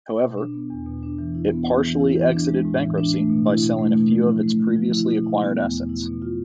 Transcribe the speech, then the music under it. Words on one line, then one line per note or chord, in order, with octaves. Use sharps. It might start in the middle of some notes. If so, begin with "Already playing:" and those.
However, it partially exited bankruptcy by selling few of its previously acquired assets.
B2
D4
B3
E2
B2
D4
E3
E4
B3
G#2
E3
E4
E3
D4
G#3
A2
E3
D4
A3
B2
E4
B2
A3
B2
F3
E4
A3
D3
F3
E4
B2
E4
B3
E2
B2
E4
B2
F4